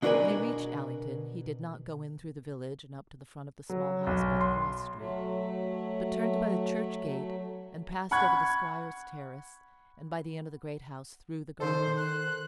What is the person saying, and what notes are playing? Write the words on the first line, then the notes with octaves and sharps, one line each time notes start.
When he reached Allington he did not go in through the village and up to the front of the Small House by the cross street, but turned by the church gate and passed over the squire's terrace, and by the end of the Great House through the garden.
B2 D4 F#4 A#4 B4 G#5
F#3
B1
C6
F#3 A3
F#5 B5 C#6 F#6 G#6
D#3 A4 C5
F#6